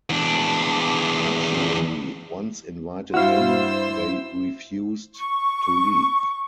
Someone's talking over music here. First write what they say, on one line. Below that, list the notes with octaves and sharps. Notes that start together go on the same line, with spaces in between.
Naturally, once invited in, they refused to leave.
E2 D4
G2 E4 F#4 C5 F5 E6
C#6